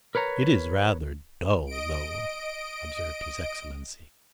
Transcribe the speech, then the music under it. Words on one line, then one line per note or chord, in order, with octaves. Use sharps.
"It is rather dull, though," observed his Excellency.
A#4 B4 C#5 A#5
D#5 D7